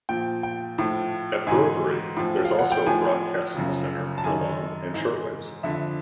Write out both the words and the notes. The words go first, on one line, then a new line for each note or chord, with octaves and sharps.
At Brovary, there is also a broadcasting centre for long and shortwaves.
A#2 F3 G5
G5
A2 F3
G#2 E3 G#5
A2 F3
F5
F#5
G5
A2 F3 G#5
F#2 C#3 F3
A5
F#2 D#3 G#5
G#2 E3
F2 D3 F3 E5